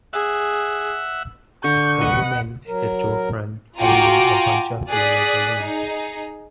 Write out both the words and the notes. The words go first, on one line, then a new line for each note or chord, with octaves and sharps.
A woman at a storefront holding a bunch of yellow balloons.
G#4 E5 F#5
D3 C#6 G6
B4 D#5 F#5
F#3 A#4
F4 F#4 G5 G#5 A#5 D6
G#4 D5 D#6 F#6 B6
D#4 G#4